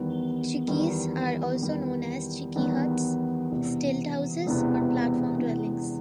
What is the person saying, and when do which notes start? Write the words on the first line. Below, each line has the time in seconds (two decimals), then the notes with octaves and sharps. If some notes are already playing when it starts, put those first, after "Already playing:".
Chickees are also known as chickee huts, stilt houses, or platform dwellings.
Already playing: E2 D#3 G3 B3
0.68 E2 D#3 G3 B3
1.62 E2 D#3 G3 B3
2.56 E2 D#3 G3 B3
3.51 E1 E2 C3 E3 B3
4.45 E1 E2 C3 E3 B3
5.40 E1 E2 C3 E3 B3